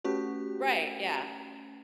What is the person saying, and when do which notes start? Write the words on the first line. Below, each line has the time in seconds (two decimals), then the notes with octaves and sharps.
Right, yeah.
0.04 A3 C#4 F#4 G4 B4